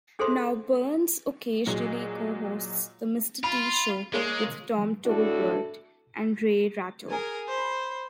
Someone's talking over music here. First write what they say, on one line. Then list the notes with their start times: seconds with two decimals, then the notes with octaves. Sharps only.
Now Byrnes occasionally co-hosts the Mr. T. show with Tom Tolbert, and Ray Ratto.
0.19 D4 G#4 A4 C5 E5 C6
1.66 A#2 F#3 G#3
3.44 F4 B5
4.14 G#3 A#3 C#5
5.06 A2 D4 E4 F#4 A4
7.09 G#4 A#4 G#5
7.48 C5 B5